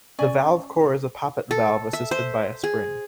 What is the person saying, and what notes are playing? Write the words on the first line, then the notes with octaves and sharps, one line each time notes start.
The valve core is a poppet valve assisted by a spring.
C#4 D5 G#5
A4
E5
C5
G#4